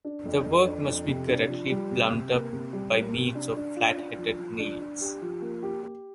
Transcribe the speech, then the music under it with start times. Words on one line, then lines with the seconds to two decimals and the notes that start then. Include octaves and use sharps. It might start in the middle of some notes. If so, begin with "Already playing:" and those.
The work must be correctly plumbed up by means of flat-headed nails.
0.05 D4
0.25 F2
0.46 F2
0.67 D4
0.87 F2
1.08 C3
1.28 D4
1.49 F3
1.70 G3
1.91 C3
2.11 C3
2.32 A#3
2.52 C3
2.73 G3
2.94 A#3
3.15 C3
3.35 D4
3.56 D4
3.76 F4
3.97 D4
4.18 F3
4.38 F3
4.59 D4
4.80 D4
5.01 G4
5.22 F3
5.42 A#3
5.63 G4
5.83 G4